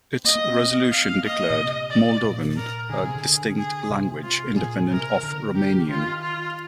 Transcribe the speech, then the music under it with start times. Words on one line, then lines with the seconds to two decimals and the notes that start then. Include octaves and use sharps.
Its resolution declared Moldovan a distinct language independent of Romanian.
0.24 A#3 D#5
0.35 A#3
0.47 C4
0.91 F5
1.25 A#3 D#5
1.50 A#2
1.58 C3
1.90 D5
2.24 A#2
2.57 A#4
2.90 D3 G#4
3.03 C3
3.16 D3
3.57 G#4
3.90 C3
4.23 F4
4.56 A#2 G#4
4.90 C3 A#4
5.23 D3
5.55 G4
5.89 D#3 F4
6.22 F4